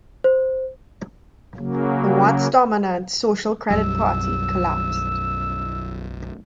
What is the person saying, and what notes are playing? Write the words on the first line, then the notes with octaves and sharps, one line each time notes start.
The once-dominant Social Credit Party collapsed.
C5
C#3 F#3 A#3
B1 F#2 G3 E6